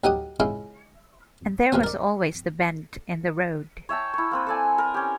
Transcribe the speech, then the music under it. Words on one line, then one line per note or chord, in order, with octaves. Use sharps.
And there was always the bend in the road!
D2 F#3 D#4 G4 F#5 D#6
C#3 G#3 E4 F4
D2 A#2 F3 F#3 B3
A#4 D5
C#5 E5 G5 A5
E4 C#5
A#3 C4 B4
A4 D5 G#5
A#4
C#4 G4